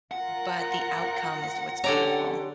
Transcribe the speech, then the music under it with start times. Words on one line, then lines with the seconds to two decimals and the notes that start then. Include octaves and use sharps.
but the outcome is what's beautiful.
0.11 F4 A#4 F#5
1.84 D3 C#4 D#4 G4 D5 A#5